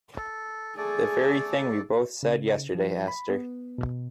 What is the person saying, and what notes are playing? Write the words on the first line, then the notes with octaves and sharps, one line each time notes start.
The very thing we both said yesterday, Esther!
A4
A3 G#4 A4 D5
C#3
F3
B5
B3
B2